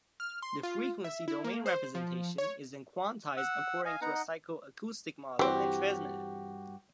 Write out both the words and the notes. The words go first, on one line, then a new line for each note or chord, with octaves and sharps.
The frequency domain representation is then quantized according to a psycho-acoustic model and transmitted.
F6
C6
F4
E5
E4
A#3
C5
F3
C#5
F#5 E6
D#5 F5 G#5
B3 D#4 F#5 A#5
D#5
G2 E3 C4 F#4 G4